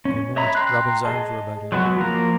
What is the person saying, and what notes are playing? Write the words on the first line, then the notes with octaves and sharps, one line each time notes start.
In a moment Robin's arms were about him.
C#4
C#5 D#5 E5 A#5 B5
G5 A#5 C6 F#6
G#4 D#5 A5
F#3 G#3 B3 F#4
F3 A#3 A#5